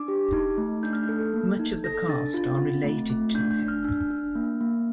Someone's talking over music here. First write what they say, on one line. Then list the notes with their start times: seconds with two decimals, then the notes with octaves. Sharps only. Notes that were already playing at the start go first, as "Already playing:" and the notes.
Much of the cast are related to him.
Already playing: D4 D6
0.08 G4
0.33 D#4
0.58 A3
0.83 D4 G6
0.93 F6
1.03 G6
1.09 A4
1.34 A#3
1.59 D#4
1.84 A4 A#6
2.09 D4 A6
2.34 F4
2.59 C4
2.84 A3
3.10 A3
3.35 D4 G6
3.51 G6
3.59 D4
3.68 F6
3.84 D4
4.11 D4
4.35 A#3
4.61 A#3